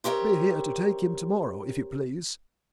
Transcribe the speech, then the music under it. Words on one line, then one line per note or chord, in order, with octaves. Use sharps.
Be here to take him to-morrow, if you please.
C4 G4 A#4 C#5 E5